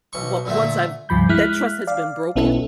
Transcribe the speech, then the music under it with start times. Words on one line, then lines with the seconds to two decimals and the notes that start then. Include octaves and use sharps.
well, once I've that trust has been broken,
0.13 B1 C#6
0.45 A#2 D3 A3
1.09 C#2 G2 F3 B5 G6
1.29 G#3 E4 F6 F#6 B6
1.87 D5 F5
2.36 B1 B3 C#4 E4 A4